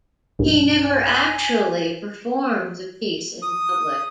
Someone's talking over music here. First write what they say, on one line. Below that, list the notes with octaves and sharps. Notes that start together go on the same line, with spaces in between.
He never actually performed the piece in public.
B1 G2
G#5
D#6